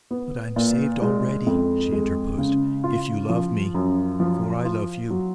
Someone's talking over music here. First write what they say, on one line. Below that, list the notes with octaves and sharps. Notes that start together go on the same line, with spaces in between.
"But I am saved already," she interposed, "if you love me--for I love you."
B3
A#2
G#3
F2
G#3
C#3
F4
F3
F#2
F3
F4
F#3